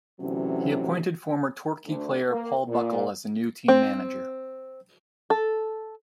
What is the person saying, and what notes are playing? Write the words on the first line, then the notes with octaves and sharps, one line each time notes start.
He appointed former Torquay player Paul Buckle as the new team manager.
D2 C3 E3 F#3 C#4
D2
A#3
A#2
C4
A4